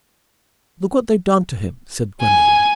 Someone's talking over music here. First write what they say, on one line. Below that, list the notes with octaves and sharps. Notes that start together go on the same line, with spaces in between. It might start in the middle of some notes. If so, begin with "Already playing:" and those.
"Look what they've done to him," said Gwendolen.
G#5